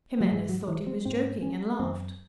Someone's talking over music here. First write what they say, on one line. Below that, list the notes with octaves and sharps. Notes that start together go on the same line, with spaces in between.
Jimenez thought he was joking, and laughed.
F#3
G#2 G#3
F#3
E3
C4
G#2 C4
C#4
F#2 C4